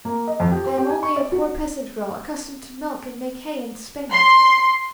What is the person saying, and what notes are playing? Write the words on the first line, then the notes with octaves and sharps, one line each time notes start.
I am only a poor peasant girl, accustomed to milk, and make hay and spin.'
A#3
D#5
F2
G4
C4
G4
G#5
C#6
D5
F#4
C6